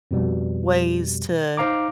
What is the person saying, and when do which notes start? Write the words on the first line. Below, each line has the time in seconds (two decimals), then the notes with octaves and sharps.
ways to
0.11 F2 B2 G3
1.57 D#4 C5 F5 A#5 D6